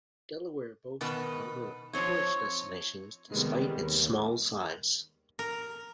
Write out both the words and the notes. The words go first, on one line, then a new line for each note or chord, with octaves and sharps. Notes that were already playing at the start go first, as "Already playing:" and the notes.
Delaware boasts a number of tourist destinations despite its small size.
B2 D#3 B4
F3 C4 D#4 C#5
C3 D#3 G3 G#3 B3
D#2
A#4